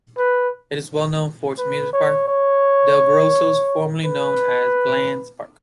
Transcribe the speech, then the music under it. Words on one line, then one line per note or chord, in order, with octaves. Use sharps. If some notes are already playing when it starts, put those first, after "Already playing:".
It is well known for its amusement park, DelGrosso's, formerly known as Bland's Park.
B4
B4
C#5
C#5
B4